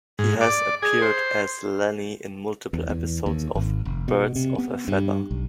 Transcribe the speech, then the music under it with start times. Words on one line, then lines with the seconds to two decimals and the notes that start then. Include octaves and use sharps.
He has appeared as Lenny in multiple episodes of "Birds of a Feather".
0.19 G#2
0.41 D5
0.82 G#4
1.02 C5
2.73 E2
2.89 E2
3.26 D#2
3.55 G#1
3.85 F1
4.08 B2
4.36 C3
4.58 B3
4.88 G2
5.31 B1